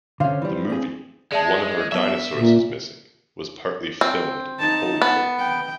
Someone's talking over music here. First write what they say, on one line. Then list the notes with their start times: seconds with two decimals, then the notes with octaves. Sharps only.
The movie, One of Our Dinosaurs Is Missing, was partly filmed in Holyport.
0.20 D3 C#4 C5 F5
0.42 E3 G3
0.69 C4 G#4
1.32 G#3 D5 E5 A5
1.92 F#3 B3 E5
2.36 A#2
4.01 C4
4.59 D#4 A5
5.02 B3
5.39 G5